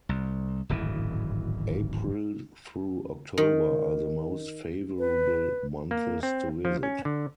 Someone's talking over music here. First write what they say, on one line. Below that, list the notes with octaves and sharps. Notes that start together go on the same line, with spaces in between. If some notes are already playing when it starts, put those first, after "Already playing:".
April through October are the most favorable months to visit.
C2
D1 G#1 F#2 E3
D#3
B4
A#3
C4
F3
C#4
D3